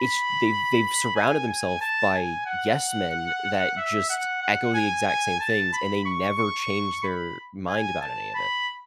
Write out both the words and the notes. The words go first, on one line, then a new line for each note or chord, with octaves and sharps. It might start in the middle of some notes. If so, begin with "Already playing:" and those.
It sh they've they've surrounded themself by yes men that just echo the exact same things, and they never change their mind about any of it.
Already playing: B5
G#5
G#5
A5
G#5
F#5
E5
F#5
F#5
G#5
G#5
A5
B5
C#6
C#6
B5
G#5
A5
B5